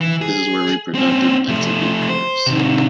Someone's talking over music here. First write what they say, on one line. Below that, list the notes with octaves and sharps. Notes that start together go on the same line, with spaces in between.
This is where reproductive activity occurs.
E3
G#4
C4 C#4
F3 A3
C5
C3 D#3